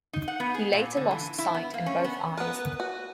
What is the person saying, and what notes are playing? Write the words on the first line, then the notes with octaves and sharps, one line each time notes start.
He later lost sight in both eyes.
D#4
F#5
B3
G#4
A#2
D3
E3
E4
B3
A#3
C#4
B3
B3 A#4 B4
F#4